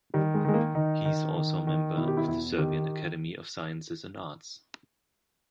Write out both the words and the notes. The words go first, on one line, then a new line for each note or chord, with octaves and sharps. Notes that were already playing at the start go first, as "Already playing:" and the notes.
He is also a member of the Serbian Academy of Sciences and Arts.
D#3 G3
G#3
D#3 G#3
A#3
D#3 D#4
D#3
D#3
D#3
B2 E4
G4
E4
E2 E4
D#3 G4